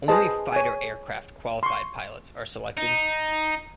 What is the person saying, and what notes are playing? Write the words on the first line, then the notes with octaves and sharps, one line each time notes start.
Only Fighter aircraft qualified pilots are selected.
G#4 B4 C5 D#5 A5
C#5 G#5
C6 C#6
D#4